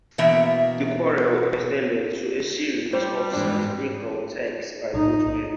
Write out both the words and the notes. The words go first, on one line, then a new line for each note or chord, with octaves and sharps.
The quarrel extended to a series of satirical texts by both men.
B2 E3 A#3 E5
G3 C5
G#2 E3 C4 D4
D#4